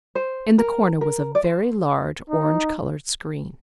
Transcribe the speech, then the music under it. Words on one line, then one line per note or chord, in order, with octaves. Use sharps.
In the corner was a very large orange-coloured screen.
C5
A#4
A#4
D5
C5
D#4